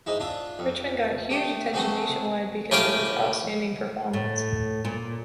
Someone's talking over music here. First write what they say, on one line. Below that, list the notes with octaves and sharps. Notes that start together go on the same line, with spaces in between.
Richmond got huge attention nationwide because of his outstanding performance.
G#2 D#4 E4
D4 F4 E5
F2
A3 G4 D#6
A3 C4 F#4 G#4 A4 B4
A2 C#4 G4 F5 G5 D6
A2
A#2